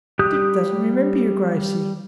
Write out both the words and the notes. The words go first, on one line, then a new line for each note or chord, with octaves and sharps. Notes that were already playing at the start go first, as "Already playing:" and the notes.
'Dick doesn't remember you, Gracey.
G3 G4 D#6 F#6 G6